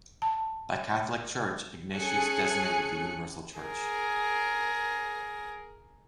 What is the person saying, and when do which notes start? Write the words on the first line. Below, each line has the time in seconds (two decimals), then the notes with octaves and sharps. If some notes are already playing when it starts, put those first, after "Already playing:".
By "Catholic Church" Ignatius designated the universal church.
0.22 A5
1.94 C#4 G#4 A4 G#5 F#6 C#7
3.59 G#4 A#4